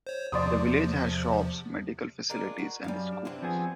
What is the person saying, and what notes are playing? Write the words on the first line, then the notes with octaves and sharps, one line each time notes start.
The village has shops, medical facilities and schools.
C5 C#5
E2 C3 F3 D5 C6 D#6
G#3 D4 F4 A#4
F#4
F#2 G3 F5
D4
C3 E3 C4
F3 B3 G#4